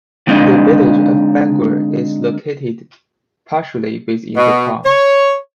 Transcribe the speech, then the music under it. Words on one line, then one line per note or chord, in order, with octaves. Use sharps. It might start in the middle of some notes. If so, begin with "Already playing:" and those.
The Village of Bangor is located partially within the town.
D3 G#3 C4 D4 D#4
B2
C#5